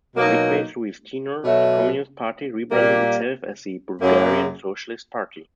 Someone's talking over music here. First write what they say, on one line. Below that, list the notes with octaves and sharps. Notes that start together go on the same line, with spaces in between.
Midway through his tenure, the Communist Party rebranded itself as the Bulgarian Socialist Party.
B2 F#3 A#3 D#4
B2 F#3 A3
A#2 G3 A#3
F#2 C#3 F#3 A#3